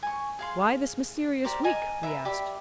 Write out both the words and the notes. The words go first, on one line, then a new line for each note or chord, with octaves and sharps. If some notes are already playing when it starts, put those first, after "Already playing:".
"Why this mysterious week?" we asked.
G#5 C#6
G#4 F5 C6
G4 A#4 C5 D5
A#4 D#5 G#5 A5
A#4 B4 E5
G4 D5 E5 B5